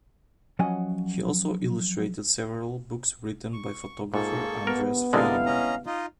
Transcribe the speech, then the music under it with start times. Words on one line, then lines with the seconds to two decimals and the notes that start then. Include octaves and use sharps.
He also illustrated several books written by photographer Andreas Feininger.
0.59 F3 F#3 C#4 D#5 F#5 G#5
3.53 C#6
4.14 G#2 A#3 F4 G#4 A4 C#6
4.67 G2 B3 A#4
5.13 C2 D3 G#3 E4 A#4 D5 D#5 F5
5.46 C#4 D#5 A#5
5.86 D#4 F4 D#5